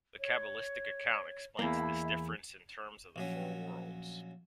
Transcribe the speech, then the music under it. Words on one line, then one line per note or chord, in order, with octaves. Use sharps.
The Kabbalistic account explains this difference in terms of the Four Worlds.
C#5
E2 A#3 E4
A#1 F#3 C#4